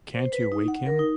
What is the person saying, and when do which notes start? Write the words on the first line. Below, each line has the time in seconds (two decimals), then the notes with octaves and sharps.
Can't you wake him?
0.15 C5
0.33 B4
0.52 D#4
0.68 F#5
0.86 A#4
0.99 D#4